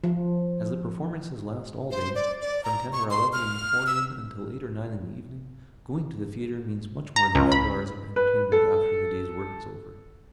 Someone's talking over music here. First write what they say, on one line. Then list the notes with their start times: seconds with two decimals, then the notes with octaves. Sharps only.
As the performances last all day, from ten or eleven in the forenoon until eight or nine in the evening, going to the theatre means much more than a few hours of entertainment after the day's work is over.
0.04 F3
1.91 C5
2.15 D5
2.41 D5
2.64 A#5
2.92 C#6
3.11 C6
3.33 F6
3.86 E6
7.16 A#5
7.35 C#2
7.52 B5
8.16 B4
8.52 A4